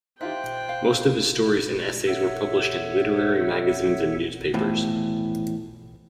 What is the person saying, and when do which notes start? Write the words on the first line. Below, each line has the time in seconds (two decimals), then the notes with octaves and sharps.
Most of his stories and essays were published in literary magazines and newspapers.
0.21 D#4 F4 G4 C5 E5 G5 F#6
0.69 F5
2.07 A4 C#5 E5 F#5
4.54 E2 A2 F3